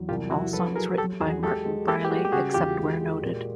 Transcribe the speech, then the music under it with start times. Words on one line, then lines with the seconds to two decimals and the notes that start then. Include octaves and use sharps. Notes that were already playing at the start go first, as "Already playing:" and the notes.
All songs written by Martin Briley, except where noted.
Already playing: E2 F#3
0.09 C2 F4 G4
0.31 F3 E4 F#4
0.53 F#3 A4 B4
0.75 F#3 G#4 A#4
0.98 F#3 G4 A4
1.20 E2 F#4 G#4
1.42 G#3 G4 A4
1.65 G#3
1.87 A#3 G4 A4
2.05 G4
2.10 G3 F#4 G#4
2.25 G4
2.32 C#3 F#4 G#4
2.54 E2 F4 G4
2.77 G#3
3.00 G#3
3.22 A#2